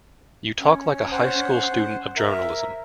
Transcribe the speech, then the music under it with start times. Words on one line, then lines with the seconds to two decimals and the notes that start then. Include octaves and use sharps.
You talk like a high-school student of journalism.
0.59 C#4
1.12 C5 F#5
2.17 A#4 E5